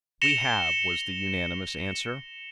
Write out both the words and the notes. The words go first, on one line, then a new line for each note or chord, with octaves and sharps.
"We have," was the unanimous answer.
A#6 C#7 E7 F7 G7